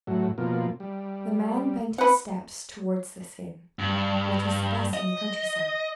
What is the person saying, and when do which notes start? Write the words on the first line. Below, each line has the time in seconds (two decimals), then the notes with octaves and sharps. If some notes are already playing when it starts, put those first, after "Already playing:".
The man bent his steps towards this inn, which was the best in the country-side.
0.07 A2 F#3
0.38 B2 F3 A#3
0.80 G3
1.98 B4 F#5
3.79 G2
4.94 D#5